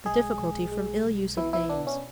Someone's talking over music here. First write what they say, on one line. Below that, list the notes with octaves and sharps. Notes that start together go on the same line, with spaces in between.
The Difficulty from ill Use of Names.
B1 G#3 G#4
B1
G#3
B1
B2 E3 E4
E3 E4
B3 D4
C#4